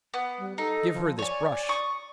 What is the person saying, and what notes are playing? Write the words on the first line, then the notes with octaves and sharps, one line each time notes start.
Give her this brush.
B3
G3
D#4 A4
F3
C#5 D5 G#5
C#6 D#6